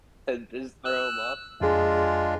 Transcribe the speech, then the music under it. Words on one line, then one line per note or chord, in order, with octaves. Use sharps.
and just throw 'em off.
E6 F#6
F2 G#3 D4 F4 G#4